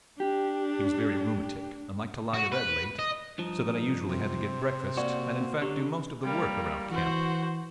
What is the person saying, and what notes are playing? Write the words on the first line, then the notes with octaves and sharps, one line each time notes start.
He was very rheumatic and liked to lie abed late, so that I usually had to get breakfast, and, in fact, do most of the work around camp.
D4 G4
F#4
B4
D#5
G2 F3 D#4
C3 C5
A#3 F#4 D5
D3 F#3 G4
G3 A#3
E3 F#4 C5